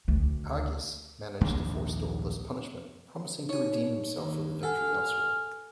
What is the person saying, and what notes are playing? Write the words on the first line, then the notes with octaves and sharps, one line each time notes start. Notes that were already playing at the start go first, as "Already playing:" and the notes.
Agis managed to forestall this punishment, promising to redeem himself with a victory elsewhere.
D2
A#1 D#2 G#2 G#3
D#4 C#5 G#5
D#2
A4 F#5 G#5 F6